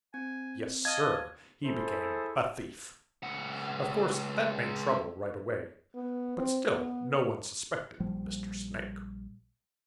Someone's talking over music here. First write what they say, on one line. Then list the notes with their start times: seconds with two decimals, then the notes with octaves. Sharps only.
Yes, Sir, he became a thief. Of course that made trouble right away, but still no one suspected Mr. Snake.
0.14 C4 G#5
0.85 D#5 F5 A5 F6 G#6
1.66 E4 G#4 A4 C5
3.23 C#2 F#5
5.95 B3
6.38 C4
6.71 B3
8.00 A#1 F3 G3